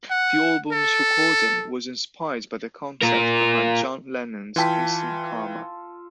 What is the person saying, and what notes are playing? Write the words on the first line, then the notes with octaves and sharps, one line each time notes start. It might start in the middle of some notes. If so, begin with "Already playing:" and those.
The album's recording was inspired by the concept behind John Lennon's Instant Karma!
F#5
A4
F4 A#4
E3 F4 A4 G5 B6